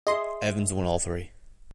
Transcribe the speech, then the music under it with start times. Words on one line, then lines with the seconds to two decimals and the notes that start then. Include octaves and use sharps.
Evans won all three.
0.07 G#4 D#5 E5 C6